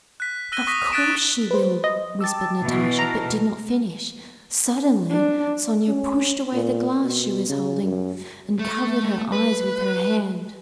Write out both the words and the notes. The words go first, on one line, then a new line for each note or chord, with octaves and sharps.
"Of course she will!" whispered Natasha, but did not finish... suddenly Sonya pushed away the glass she was holding and covered her eyes with her hand.
F#6 B6
E6 F#6 A#6 D#7 G7
C#6 D#6 A#6 B6 D#7
F#6 A6 B6 D7 E7
B4 C5
D#5
G5 A5 D6 E6 A6
B2 E3 E5
A5 A#5 F6
D4
C#4
A#2
B2
C#3
F#2
A3
B4